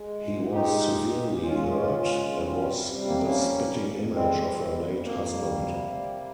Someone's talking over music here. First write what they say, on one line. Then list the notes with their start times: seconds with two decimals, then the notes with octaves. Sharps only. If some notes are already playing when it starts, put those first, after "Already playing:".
He was severely hurt, and was the spitting image of her late husband.
Already playing: G#3
0.21 A#2
0.52 G#3 D#4 G4
0.82 A#2
1.12 A#2
1.33 G4
1.42 G#3 C#4 F4
1.72 A#2
2.02 G#3
2.32 G3
2.62 C3
2.92 G3
3.06 A#3
3.14 C4
3.21 F2 A#3 C#4
3.52 F2
3.82 F2
4.12 G3 G#3 C4
4.41 F2
4.72 F2
5.01 F2 A#3
5.32 G3
5.61 C3
5.92 G3